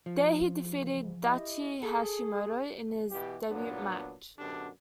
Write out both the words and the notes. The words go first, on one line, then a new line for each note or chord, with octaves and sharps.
There he defeated Daichi Hashimoto in his debut match.
F3
G#2 C#3 E3
E4 G4 D#5
G#4 A4
B2 E3 G4
A#2 F#3 B3 D4
F#2 B2 D3 D4 G4